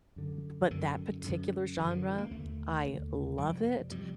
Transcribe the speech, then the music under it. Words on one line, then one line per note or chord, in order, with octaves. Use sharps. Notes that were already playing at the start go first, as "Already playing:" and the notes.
b but that particular genre, I love it,
F#2 D3
F#2 D3 D#3
F#2 D3
F#2 D3 E3
D#3
E3
A#3
D#2 D3 A3
D#2 D3
F2 C3 G3
F2 C3 G3